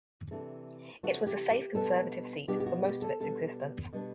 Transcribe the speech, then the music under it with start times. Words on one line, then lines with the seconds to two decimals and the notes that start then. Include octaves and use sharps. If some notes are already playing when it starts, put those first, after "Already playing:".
It was a safe Conservative seat for most of its existence.
0.31 C3 E3 A3 D4
1.03 C3 E3 A3 D4 F#4
1.27 G4
1.51 G4
1.75 B2 G3 B3 D4 A4
2.48 B2 G3 B3 D4 G4
2.60 G4
2.66 F#4
2.84 G4
3.02 A4
3.20 B2 G3 B3 D4 A4
3.93 B2 G3 B3 D4